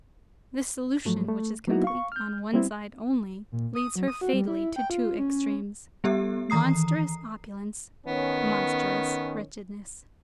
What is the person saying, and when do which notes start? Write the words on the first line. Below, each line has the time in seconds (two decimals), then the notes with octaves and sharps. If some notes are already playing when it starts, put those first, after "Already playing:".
This solution which is complete on one side only leads her fatally to two extremes: monstrous opulence, monstrous wretchedness.
1.05 G#2 F3 F#3 A3
1.29 A3
1.67 F#3 A#3 B3 D#4 E4 F#4
1.84 F5 C#6
2.12 F6 G6
2.53 G3 B3 C4 E4
3.52 A#2
3.75 D#6
3.95 F#3
4.08 D#6
4.21 F#4
4.33 G3
4.48 E4
4.76 G5
4.90 F4
5.19 C#4
6.04 G3 B3 G4 A4 E5
6.50 D#3 E3 A#5 D#6 C7
8.06 D#3 B3 C#4